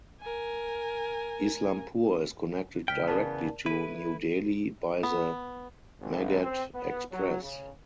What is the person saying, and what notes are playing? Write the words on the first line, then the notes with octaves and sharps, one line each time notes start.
Islampur is connected directly to New Delhi by the Magadh Express.
A#4 G#5
C#2 G#2 G5 F6 B6
C#3 E3 B3 A#4 D5 A5
E4 A4 B4 D#7
B3
G#1
C4
B3
F#3
C#3